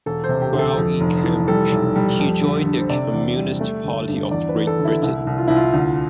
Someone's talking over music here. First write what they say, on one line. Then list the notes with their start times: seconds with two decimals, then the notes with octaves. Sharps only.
While in Cambridge he joined the Communist Party of Great Britain.
0.06 E1 A4
0.24 C5
0.29 C3
0.41 G4
0.53 D2
0.59 A4
0.77 F2
1.01 F1
1.23 E3
1.48 G3 A4
1.72 B1
1.96 G3
2.19 F2
2.42 D3
2.67 D3
2.77 C5
2.90 C3 D5
3.13 E2
3.37 G3
3.60 A3
3.84 G1
4.08 G2
4.31 E2 D5
4.49 B4
4.55 E2
4.67 A4
4.79 D3
4.85 E4
5.03 C2 E4
5.27 C2
5.38 F4
5.48 C2 E4
5.56 F4
5.73 D2